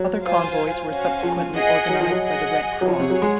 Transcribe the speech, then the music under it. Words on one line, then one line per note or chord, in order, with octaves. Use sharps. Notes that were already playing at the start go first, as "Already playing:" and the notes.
Other convoys were subsequently organized by the Red Cross.
Already playing: F#3
F4 C5 F5 G#5
C#4 F#4 C5 F5 G#5
F3
G#4 D#5 F#5
F#3
F3
F#3
G#4 D#5 F#5
F#3
F3 G#4 C#5 F#5
C3
F#3
G#3